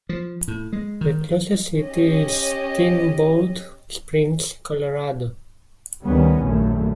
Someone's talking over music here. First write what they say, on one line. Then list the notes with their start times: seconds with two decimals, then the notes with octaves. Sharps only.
The closest city is Steamboat Springs, Colorado.
0.09 F3
0.48 A2
0.73 G#3
1.01 D#3
1.80 C#4 G4 D#5
6.03 D2 D#3 G3 B3 C#4
6.42 A#1 F#2 D#3 A3